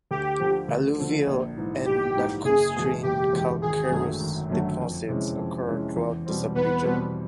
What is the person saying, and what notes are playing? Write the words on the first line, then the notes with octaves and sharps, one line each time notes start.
Alluvial and lacustrine calcareous deposits occur throughout the subregion.
D2 G4
D3 F3
D2
D3 F3
A#1
G#2 E3
A#1 G4
G#2 E3
F#1 G#4
E2 B2 G#3
F#1 G4
E2 B2 G#3
G#1 G#4
F#2 D3 F#3 A3
G#1
F#2 D3 F#3 A3
F2
C3 E3 G#3 C#4
F2
C3 E3 G#3 C#4
E2
B2 G3 C4
E2 B3 B4
B2 G3 C4